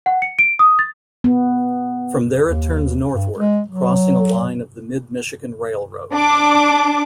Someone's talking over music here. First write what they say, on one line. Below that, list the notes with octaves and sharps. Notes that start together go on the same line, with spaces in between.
From there it turns northward, crossing a line of the Mid-Michigan Railroad.
F#5
C#7
D7
D#6
A6
B3
D#2
G2
G#3
F#3
D4 D6